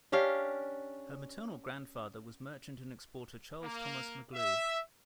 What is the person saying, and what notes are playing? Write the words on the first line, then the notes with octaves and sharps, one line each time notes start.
Her maternal grandfather was merchant and exporter Charles Thomas McGlew.
C#4 D4 G4 F5
A#3
E5